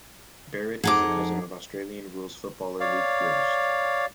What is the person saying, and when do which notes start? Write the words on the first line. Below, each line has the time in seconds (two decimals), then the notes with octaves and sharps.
Barrett is the cousin of Australian rules footballer Luke Breust.
0.84 F2 D#4 G#4 F#5 D6
2.80 C#5 D5 F5